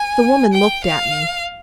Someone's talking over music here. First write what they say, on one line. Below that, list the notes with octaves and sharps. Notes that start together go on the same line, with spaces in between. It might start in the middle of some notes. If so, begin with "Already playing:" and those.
The woman looked at me.
Already playing: G#5
G5
F5